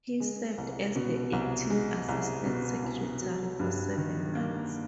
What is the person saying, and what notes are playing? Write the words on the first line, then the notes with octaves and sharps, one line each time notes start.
He served as the acting Assistant Secretary for seven months.
G#3
C2
B2
C2
G#3
C2
B2
C2
F#3
G2
D#3
A#3